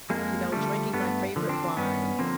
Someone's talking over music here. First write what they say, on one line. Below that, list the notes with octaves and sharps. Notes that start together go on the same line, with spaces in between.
you know, drinking my favorite wine,
F2 G#3 A#3
D3 F3 G3 A3
G2 A3 B3
D3 F3
C4 D4
G2 B3 C#4
D3 F3 A#3 C4